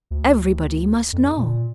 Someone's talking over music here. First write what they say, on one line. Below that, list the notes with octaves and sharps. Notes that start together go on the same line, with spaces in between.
Everybody must know.
D2
F2
A#2